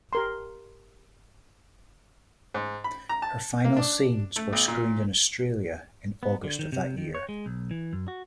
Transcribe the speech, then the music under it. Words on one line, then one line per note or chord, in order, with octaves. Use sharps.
Her final scenes were screened in Australia in August of that year.
G4 A#4 C6
G#2
B5
A#5
A5
A#3
D4
A3
B1
A#2
B3
D3
D#3
C3
D#3
C#5
G#3
B1
E3
F#2
F#4